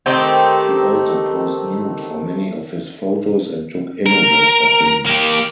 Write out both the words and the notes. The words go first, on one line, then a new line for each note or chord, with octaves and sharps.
She also posed nude for many of his photos and took images of him.
D#3 A3 C4 G4
A#4
A#3 G4